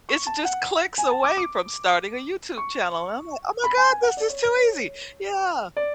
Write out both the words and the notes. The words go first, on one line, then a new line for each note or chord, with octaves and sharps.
it's just clicks away from starting a YouTube channel. And I'm like, "Oh my God, this is too easy." Yeah.
C#6
A5
F#5
G#5
A5
D6
D6
C#6
B5
G#5
G#5
F#5
D5
C#5
C#5
C#5
D5